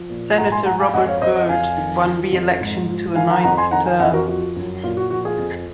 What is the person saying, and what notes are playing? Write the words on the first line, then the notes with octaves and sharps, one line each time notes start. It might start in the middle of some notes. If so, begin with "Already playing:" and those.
Senator Robert Byrd won re-election to a ninth term.
Already playing: F3
A#2
G#2 F#5 A#5
G#5 C6
G#2 F#5 A#5
F5 G#5
F2 D#5 F#5
C#5 F5
F2 C5 D#5
D#5 F#5
F2 F5 G#5
D#3
F3
F2
G#2
F3
D#3 F5 G#5
F#5 A#5
F2 F#5 A#5
G#5 C6
D#3 F#5 A#5
F5 G#5
F2 D#5 F#5
F#4 A#4
F3 F#4
F#2
A#2 F4
F#4
F3 F#4
F4 G#4
F2